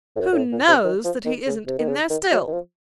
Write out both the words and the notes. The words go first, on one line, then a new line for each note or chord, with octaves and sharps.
Who knows that he isn't in there still?'
A2
F#2
F#2
A2
A#2
C3
D#3
F3
D#3
C#3
C3
D#3
C#3
D#3
F#3
D#3
F3